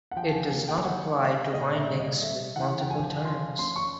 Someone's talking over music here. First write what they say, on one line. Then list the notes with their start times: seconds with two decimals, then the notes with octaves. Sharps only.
It does not apply to windings with multiple turns.
0.11 F#5
0.16 F3 G5
0.27 A5
0.33 G#5
0.50 A#3 G#5
0.68 G5
0.85 D3 F#5
1.19 A3 F5
1.53 A#2 D#5
1.76 E5
1.88 G3
1.99 D#5
2.22 A3 E5
2.56 E3 F#5
2.81 G5
2.90 F3 G#5
3.24 F3 C6
3.59 C#4 C6
3.76 C#6